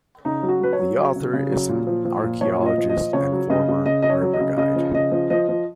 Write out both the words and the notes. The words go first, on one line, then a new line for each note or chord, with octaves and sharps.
The author is an archeologist and former river guide.
C#3 D#4
F#3
F#4
F#3 B4
C#5
F#3
F#3
C#3
C#3
F#3
A#2
F3
F3
A#2
F3 C#5
A#2
D#5
F3
D#5
F3
C#3 C#5
F#3
C#3 D#5
C#3
C#3 D#5
C#3 D#5
C#5
F#3
D#5
C#3
C#3 D#5
F3
C#3 D#5
F3
F3 D#5
F3